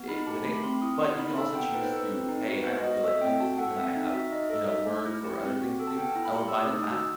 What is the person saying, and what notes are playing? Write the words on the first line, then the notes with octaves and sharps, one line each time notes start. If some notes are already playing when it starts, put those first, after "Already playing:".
it with it, but you can also choose to, "Hey, I don't feel like playing this season. I have, you know, work or other things to do. I will buy the pass,
Already playing: B3
D#4 B5
G4 A5
A3 B5
C4 C6
E4 D#6
B3 C6
D#4 B5
A4 A5
B3 G5
D#4 B4
C5
A4 B4
C4
D#4
F#4
B4
B3 C5
D#5
F#4
D#5
A4 E5
C4 G5
F#4 A5
A4 F#5
C4 E5
D#4 E5
F#4 E5
D#4 D#5
A4 D#5
D#4 E5
A3
E4
G4
C4
F#4
A4
A5
B3 G5
E4 A5
B5
G4 C6
E6
A3 D#6
D#4 D#6
F#4 E6